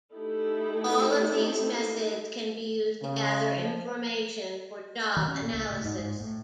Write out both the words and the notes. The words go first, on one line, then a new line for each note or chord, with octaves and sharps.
All of these methods can be used to gather information for job analysis.
A3 D#4 E4 G4 A4
C#3
F3
D#3
C#4
A#2
C#2
A2
G#2
G#2
A2